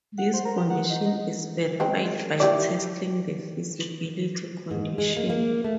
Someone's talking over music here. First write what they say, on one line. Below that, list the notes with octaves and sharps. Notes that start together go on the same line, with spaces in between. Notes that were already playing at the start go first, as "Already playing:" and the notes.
This condition is verified by testing the feasibility condition.
F#5
C5
A#4
G4
F#5
D#4
D#5
G#3 C4 C#4
E4 G4 D5
G#2
G#3
A#3
A#3
A3